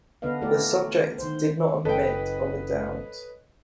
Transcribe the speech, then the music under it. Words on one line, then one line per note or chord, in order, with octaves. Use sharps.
The subject did not admit of a doubt.
D3 B3 D4 B4 D#5 F5
A3 A#3 E4 G4 A#4 D5
D#3 C5
F#1 A4 B4 C#5 D#5 G5